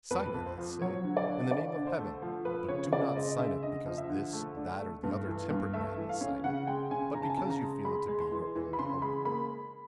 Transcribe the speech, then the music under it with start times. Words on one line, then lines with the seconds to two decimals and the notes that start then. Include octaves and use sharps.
Sign it, I say, in the name of Heaven; but do not sign it because this, that, or the other temperate man has signed it, but because you feel it to be your only hope.
0.11 F2 B4
0.34 F2
0.46 C5
0.58 F3
0.81 F#3 C#5
1.04 D3
1.17 D5
1.28 D3
1.51 D3 D5
1.75 D3
1.87 C5
1.99 A3
2.22 F3
2.45 F3 B4
2.68 C#3 C#5
2.92 C#3 D5
3.16 G#3 D#5
3.39 C#3 E5
3.63 D3 D#5
3.86 F3
3.98 E5
4.09 D3
4.33 A3
4.57 D4
4.80 A3
5.03 G2
5.27 E3
5.50 G2
5.73 A3 E5
5.97 E3
6.09 F5
6.21 C#4
6.44 C#3 F#5
6.67 G#3 G5
6.91 C#3 G#5
7.14 C#3 A#5
7.22 A5
7.30 G#5
7.37 C#3 A5
7.50 A#5
7.62 G#3
7.85 G#3 B5
8.08 G#3
8.20 C6
8.32 E3
8.55 E3
8.73 B5
8.79 C#3 C6
9.02 G#3 B5
9.25 A#3 B5